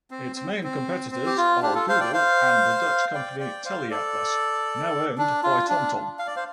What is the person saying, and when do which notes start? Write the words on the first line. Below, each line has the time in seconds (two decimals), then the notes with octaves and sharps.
Its main competitors are Google and the Dutch company TeleAtlas now owned by TomTom.
0.11 C4
0.36 C4
0.63 C4
1.12 C4
1.26 G4
1.37 F4
1.62 D4 G4
1.75 F4 A4
1.89 C5 F5
2.00 D5 G5
2.13 C5 F5
3.15 D5 G5
3.40 D5 G5
3.65 C5 F5
3.90 A4 D5
5.18 D4
5.44 F4
5.69 D4
6.19 F5
6.27 D5
6.36 C5 F5